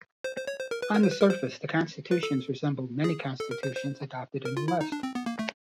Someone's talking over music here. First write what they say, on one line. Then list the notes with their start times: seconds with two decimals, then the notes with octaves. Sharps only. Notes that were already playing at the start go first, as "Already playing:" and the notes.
On the surface, the constitutions resembled many constitutions adopted in the West.
0.24 C5
0.37 C5
0.47 C#5
0.59 C5
0.71 A#4
0.82 B4
0.94 A#4
1.03 C5
1.11 B4
1.21 A#4
1.30 C5
2.11 B4
2.23 A4
3.04 G#4
3.40 A4
3.51 A#4
3.63 C5
3.75 C5
4.45 A#4
4.57 F4
4.68 E4
4.81 D#4
4.92 D4
5.03 C4
5.15 B3
5.26 A#3
5.39 A3